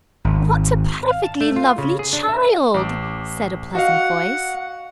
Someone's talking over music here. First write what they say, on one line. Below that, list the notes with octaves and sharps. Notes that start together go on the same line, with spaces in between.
"What a perfectly lovely child!" said a pleasant voice.
G#1
F5
A5
A3
F4
C#3
G#4
D4
E5
A1 D6
F#4 D#5 F5 F#5